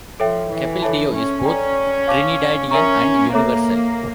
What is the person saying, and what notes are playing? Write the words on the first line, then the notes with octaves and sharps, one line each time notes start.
Capildeo is both Trinidadian and universal.
F3 A4 C#5 E5 G5
E3
A4 C#5 E5 A5
C#4
C#4 A4 D5 G5 A#5
C#5 F5 A5 D6
C#4 A#4 E5 A#5 C#6
A#3 A4 C#5 E5 A#5 D6